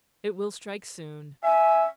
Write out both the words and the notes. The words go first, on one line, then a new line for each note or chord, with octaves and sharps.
It will strike soon.
E5 G#5